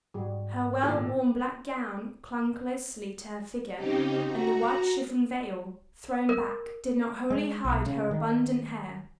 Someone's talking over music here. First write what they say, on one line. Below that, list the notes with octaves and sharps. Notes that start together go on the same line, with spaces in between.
Her well-worn black gown clung closely to her figure, and the white chiffon veil, thrown back, did not wholly hide her abundant hair.
G#2 G3 F#4 G#4
D#2 A#2 E4 G#4 A4
C#3 C4 D#4 G4
F#4 A#5
A#4
G#3
B1
C#3
D#3